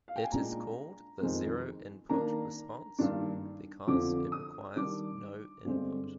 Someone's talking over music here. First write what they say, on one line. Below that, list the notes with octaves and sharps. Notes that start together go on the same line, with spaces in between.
It is called the zero-input response because it requires no input.
F5
G5
G#5
A#2 G#3 D4 A#5
F2 D#3 G#3 C4
D#3 A#3 D4 A#5
G2 D#3 A#3 D4
F2 D3 F3 C4 D6
D#6
D#3 G3 D4 D6
G2 D3 G#3 C4